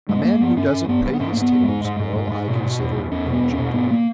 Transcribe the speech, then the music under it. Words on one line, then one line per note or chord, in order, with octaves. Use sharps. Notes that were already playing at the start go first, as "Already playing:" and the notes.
A man who doesn't pay his tailor's bill, I consider no gentleman.
G2 G#3
G2 A#3
G2 B3
G2 C#4
G2
G2 B3
G2
B3
G#2 C#4
A#3
G#2 B3
G#2
G#2 G#3
G#2
G#2
G#2
G#2
B2
B2
E2
E2
E2 C#4
B2
B3
E2
C#4
B2
G#2 B3
A#3